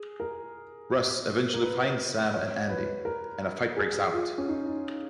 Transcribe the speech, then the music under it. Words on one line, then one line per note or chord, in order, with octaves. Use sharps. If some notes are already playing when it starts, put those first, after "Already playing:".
Russ eventually finds Sam and Andy, and a fight breaks out.
Already playing: G#4
A#4
A#4
B4
C#5
B4
A#4
G#4
F4
C#4
D#4
D#4